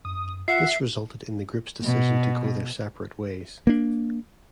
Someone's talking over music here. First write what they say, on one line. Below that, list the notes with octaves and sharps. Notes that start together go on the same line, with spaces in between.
This resulted in the group's decision to go their separate ways.
F#2 D#6
F4 E5 F#5 E6 C7 C#7
B2
A#3 D4